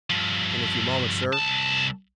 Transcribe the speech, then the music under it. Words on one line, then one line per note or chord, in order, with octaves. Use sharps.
"In a few moments, sir."
G2 F3
C2 A5